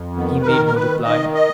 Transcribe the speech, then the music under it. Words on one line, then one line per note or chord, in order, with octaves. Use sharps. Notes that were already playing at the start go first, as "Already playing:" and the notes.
He made no reply.
Already playing: F2
D#3 B3
B4
D#3 A#4
A#4
D#3 B4
D#3 D#5
D#5